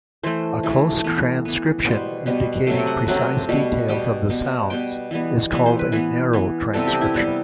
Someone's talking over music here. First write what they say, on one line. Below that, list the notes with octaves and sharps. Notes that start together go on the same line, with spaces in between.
A close transcription, indicating precise details of the sounds, is called a "narrow transcription".
E3 A3 C5
E3 A3
E3 B3
E3 B3
B2 G3 B3 C5
B2 G3 B3
C3 F#3 A3
F#5
C3 F#3 A3 F#5
B2 G3 B3
B2 G3 B3 G5
B2 G3 B3
B2 G3 B3 G5
E3 G3 B3
E3 G3 B3 E5
C5
B4
E3 B3 B4
E3 B3
C3 G3 B3 A4
G4
E4
C3 G3 B3